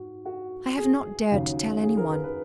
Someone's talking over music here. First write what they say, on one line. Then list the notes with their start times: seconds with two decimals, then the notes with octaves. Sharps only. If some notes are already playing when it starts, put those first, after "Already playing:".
I have not dared to tell anyone.
Already playing: G#2 F#4
0.26 F#4
0.78 G#4
1.31 D#2 C#3 F#3
1.83 G#4
1.97 A#4
2.11 B4
2.24 B4